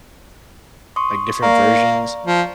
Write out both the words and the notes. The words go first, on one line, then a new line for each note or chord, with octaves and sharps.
like, different versions.
C6 C#6 D#6
A#3 D5 A#5 C#6
F3